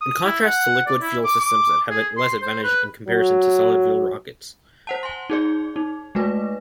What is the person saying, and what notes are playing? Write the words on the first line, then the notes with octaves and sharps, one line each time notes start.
In contrast to liquid-fuel systems that have less advantage in comparison to solid-fuel rockets.
D#6
E4
F#5
D5
E4
D6
D6
G#4
C6
C5
B4
F#3
C5 F#5 A5
G#5 C6
D#4 G#4 D5
D#4
G#3 A3 B4